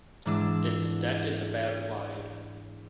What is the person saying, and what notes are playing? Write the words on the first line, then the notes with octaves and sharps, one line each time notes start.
Its deck is about wide.
G#2 E3 D4 E6